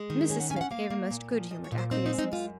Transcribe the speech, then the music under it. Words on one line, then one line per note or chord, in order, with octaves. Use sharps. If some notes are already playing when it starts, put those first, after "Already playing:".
Mrs Smith gave a most good-humoured acquiescence.
Already playing: G#3
D#3
A#4
C#4 G#4
F#5
C#4 G#5
F5
F#5
A#3 F5
A#3
A#2
F3
A#2 D#5
C#5
A#2
C5
C4 D#4
D#4
G#3
D#4
F#2 F4